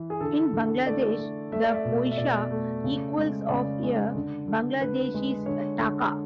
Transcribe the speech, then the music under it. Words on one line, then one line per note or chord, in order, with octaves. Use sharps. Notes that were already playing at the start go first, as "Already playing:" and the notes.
In Bangladesh, the "poisha" equals of a Bangladeshi taka.
Already playing: E3
G#4
D3 A4
D3
A3 D5
A3
A3 E5
D5
E5
B2
E5
B2 D5
A3
C#3
G#3
C#3 D5
G#3
D3
D3
D3 B4
G#3
D3 C#5
D3